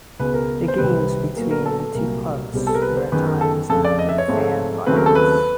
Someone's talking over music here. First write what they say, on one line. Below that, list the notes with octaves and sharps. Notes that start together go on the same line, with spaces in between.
The games between the two clubs were at times met with fan violence.
C#2 B2 G#3 B4
A#4
C5
C2 C3 D#3 G3 C4 B4
A#2 F#3 B3 A#4
A#4
A4
A4
C2 A#2 F#3 A#4
C2 B2 G3 C4
A4
A#4
B4
C5
F#2 D#3 G#3 B3 B4
A#4
A4
F2 C#3 F3 A3 A4
D5
D#5
E5
C#5
G#2 F3 A3 C4
D#2 C#3 F#3 A3 C4 B4
A#4
A4
B4